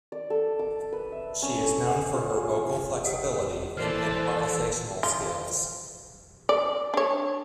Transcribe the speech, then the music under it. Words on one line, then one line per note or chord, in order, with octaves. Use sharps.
She is known for her vocal flexibility and improvisational skills.
D5
A4
D6
B4
E5
C#4
A4
F#5
F4
G#4
G4 D#5 F#5
E3 A4 C5 D5 A5 F6 C7
F4
D5
D4 C#5